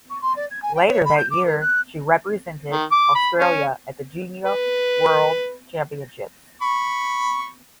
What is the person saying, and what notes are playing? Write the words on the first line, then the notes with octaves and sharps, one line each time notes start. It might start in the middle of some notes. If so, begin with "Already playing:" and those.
Later that year she represented Australia at the Junior World Championships.
C#6
C6
D5
G#6
G#5
G5
C#5
B5
G6
D6
A#4
F#6
D#3
D6
B5
C#4
B4
B5 C#6